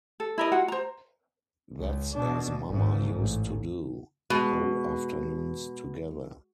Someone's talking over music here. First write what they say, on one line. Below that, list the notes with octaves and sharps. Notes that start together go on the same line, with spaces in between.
That’s as mamma used to do, whole afternoons together.
A4
E4 A#4 D#5
F4 F#4 F#5
C5 A#5
C#2
B2 D4
G#1 G#2
A1
B2 G#3